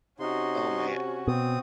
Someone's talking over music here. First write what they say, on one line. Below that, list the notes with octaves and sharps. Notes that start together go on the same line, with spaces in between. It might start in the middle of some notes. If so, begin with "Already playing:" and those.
oh, man.
C3 C#4 D#4 F#4 C6
B2 C4 D#6